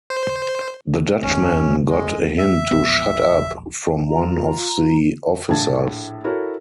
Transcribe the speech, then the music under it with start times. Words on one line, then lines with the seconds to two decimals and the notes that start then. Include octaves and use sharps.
The Dutchman got a hint to ‘shut up’ from one of the officers.
0.10 C5
1.23 G1 D#2 C#4
1.89 G#3
2.38 E5
2.71 E1 A#1 B3
4.08 F4 A#5
5.49 A#1 A2 D4 E5 A5 G#6
6.24 E4 F#4 A4 A#4 C#5